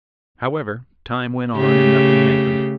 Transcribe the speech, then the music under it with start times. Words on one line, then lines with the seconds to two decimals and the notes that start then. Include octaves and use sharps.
However, time went on and nothing happened.
1.57 C#3 A3 G4